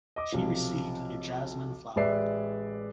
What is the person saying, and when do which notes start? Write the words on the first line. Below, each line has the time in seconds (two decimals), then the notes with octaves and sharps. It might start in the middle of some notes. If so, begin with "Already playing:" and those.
She received a jasmine flower.
0.16 D#5 D6
0.32 B1 C3 F3
1.96 A1 G#3 B4 D5 E5 C7